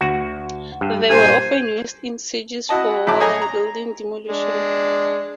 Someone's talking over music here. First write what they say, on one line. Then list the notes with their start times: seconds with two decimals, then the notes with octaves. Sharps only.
They were often used in sieges for wall and building demolition.
0.01 D2 F#4
0.81 G2
1.10 G2 A#2 C5 G#5
2.69 E4 F#4 D#5 A5
3.07 A2 F#3 A5 D6
3.20 G#4 C#5 D#5 G#5 A#5
3.42 A#5
4.27 G#3 D4